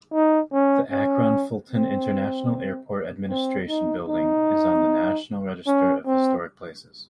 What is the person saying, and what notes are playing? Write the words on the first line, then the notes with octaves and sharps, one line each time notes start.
The Akron-Fulton International Airport Administration Building is on the National Register of Historic Places.
D#4
C#4
C#4
C4
C4
D#4
D#4
C#4
C4